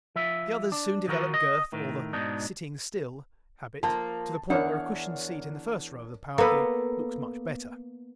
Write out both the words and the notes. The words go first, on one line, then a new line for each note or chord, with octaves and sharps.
The others soon develop girth or the "sitting still" habit to the point where a cushioned seat in the first row of the parquet looks much better.
F3 E5
D4
D#3 F3 F#4 A#4
D#5
A2 D#3
G#2 B2 D4 D#4
F3 A#3 A5
E2 D4 A#4 C#5 F#5
A#3 B3 A4 B4